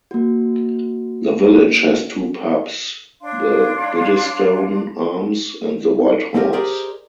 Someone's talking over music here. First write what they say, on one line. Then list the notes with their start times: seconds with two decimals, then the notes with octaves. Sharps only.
The village has two pubs, the Biddestone Arms and the White Horse.
0.11 A#3 F#4
3.20 D4 C#5 F5 C6
6.34 A3 C4 C#4 G4 A#4
6.53 G4 G#4 A#4 C5 D5 D#5